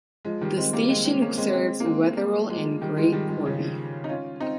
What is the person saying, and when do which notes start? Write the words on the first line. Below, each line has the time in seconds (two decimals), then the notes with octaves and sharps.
The station serves Wetheral and Great Corby.
0.25 F3 G#3
0.41 D#3 G3
0.57 G#3 C4
0.73 G3 A#3
0.89 G#3 C4
1.05 G#3 C4
1.21 A#3 C#4
1.37 G#3 C4
1.53 G#3 C4
1.80 A#3
1.85 G#3 C4
2.17 G3 A#3
2.49 F3 G#3
2.81 D#3 G3
2.96 F3 G#3
3.13 D#3 G3
3.28 F3 G#3
3.46 C#3 F3
4.04 D#4
4.09 C#4 F4
4.40 C4 D#4